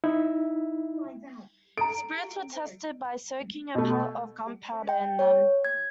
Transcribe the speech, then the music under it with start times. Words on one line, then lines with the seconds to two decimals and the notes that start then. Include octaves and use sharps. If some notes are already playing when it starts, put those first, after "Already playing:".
Spirits were tested by soaking a pellet of gunpowder in them.
0.04 D#4 E4 E5
1.78 A4 A#5 D7
3.75 B2 A3
4.89 G5
5.19 C#5
5.65 G#6